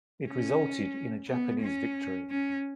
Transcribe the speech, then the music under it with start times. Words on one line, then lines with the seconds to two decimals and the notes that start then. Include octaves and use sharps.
It resulted in a Japanese victory.
0.26 C#4
1.28 B3
1.62 C#4
2.30 C#4